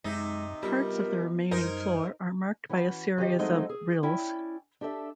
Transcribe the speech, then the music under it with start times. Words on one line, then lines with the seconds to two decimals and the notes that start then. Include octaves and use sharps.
Parts of the remaining floor are marked by a series of rilles.
0.04 F#2 C3 G#3 D#4
0.63 G3 B3 F4 A#4
1.51 F#2 G3 D#4 A#4 C5 F6 G#6
2.69 E3 C#4 F#4
3.17 D#3 F3 C#4 G4 D#5
3.39 F3 F#3 G#3 A3 C4 D#4
3.69 G#4
4.03 C#4 E4 D5 G5
4.81 D4 G4 A4 E5